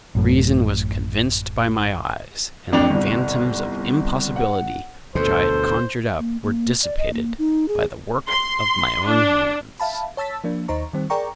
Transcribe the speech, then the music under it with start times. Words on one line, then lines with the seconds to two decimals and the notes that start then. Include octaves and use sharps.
My reason was convinced by my eyes; and the phantoms of impossibility which I had conjured up were dissipated by the work of my own hands.
0.15 A1 F#2 A2
2.72 A1 F2 D4 G5 F7
2.90 G1 C2
4.36 F#5
5.15 D2 B2 A4 C5
6.19 A#3
6.43 A#3
6.83 D5
6.98 D#5
7.13 A#3
7.39 D#4
7.68 G#4
8.28 C6
9.05 D4
9.80 E5 F5 A5 B5
10.17 C#5 A5 E6 A6 B6
10.44 F3 A#3 D4
10.68 D#2 D#4 C5 A#5 C#6
10.93 D#3 G3 C4
11.10 G#4 A#4 D5 G5 A#5 C#6